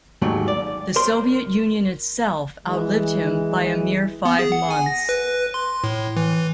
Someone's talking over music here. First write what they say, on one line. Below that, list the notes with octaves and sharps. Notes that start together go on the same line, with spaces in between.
The Soviet Union itself outlived him by a mere five months.
D#2 G#2 F#3 A3
D5
A#4 C5 C6
E3 G#3
B3
G#4
F#5
G#5
A#6
B4
C6
A2
E3